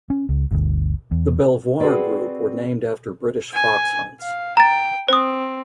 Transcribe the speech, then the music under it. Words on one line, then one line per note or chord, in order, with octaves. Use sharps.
The "Belvoir" group were named after British fox hunts.
C#4
C#2
G1 D2
E2
C4 F#4 G#4 A4 B4 D5
G#5
F5
G5 A#5 A6
C4 C5 D#6